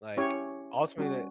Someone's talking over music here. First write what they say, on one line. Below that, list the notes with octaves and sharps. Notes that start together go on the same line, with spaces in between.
like, ultimately that
C#4 E4 G4 C#5
G3 C#4 F#4